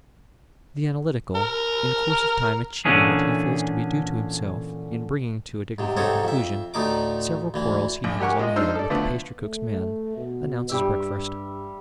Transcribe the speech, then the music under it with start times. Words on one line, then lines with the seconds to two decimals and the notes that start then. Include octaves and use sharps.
The Analytical, in course of time achieving what he feels to be due to himself in bringing to a dignified conclusion several quarrels he has on hand with the pastrycook's men, announces breakfast.
1.35 A#4
2.85 A#2 D3 E3 C#4 G#4
5.79 G#2 C3
5.97 G#2 C3 C4 D#4 A4 C#5
6.24 F2 E5
6.74 D2 A2 A3 D#4 D6
7.54 D2 E3
8.04 A#1
8.20 G4 A#4 F#5 G#5 C#6
8.39 G#3 F4 D#5
8.56 D4 D#4 C5 E6 F6
8.75 A4 D5
8.90 D3 F3 A3 B3 B4
9.41 A3
10.17 B2
10.69 G2 G3 G4 E5